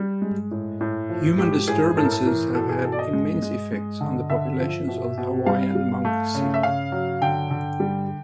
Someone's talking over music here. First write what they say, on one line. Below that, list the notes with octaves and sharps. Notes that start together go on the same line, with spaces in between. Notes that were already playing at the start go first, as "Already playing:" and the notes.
Human disturbances have had immense effects on the populations of the Hawaiian monk seal.
Already playing: G3
G#3
A2
A2
F3
G#3 G4
A2 G#4
A2 A4
A#4
A4
E3 A#4
B2 A4
G#4
B2 A4
D5
D#5
G#3
G#3
G#3
D3
D3 E5
F3
B2
B2
G3 F5
G3
A3
C#3
E5
C#3 F5
F#3
D3 G5
D3
G3